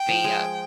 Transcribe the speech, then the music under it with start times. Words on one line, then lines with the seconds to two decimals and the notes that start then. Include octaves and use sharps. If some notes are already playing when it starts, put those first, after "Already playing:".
be, uh
Already playing: G5
0.08 F3
0.24 G#3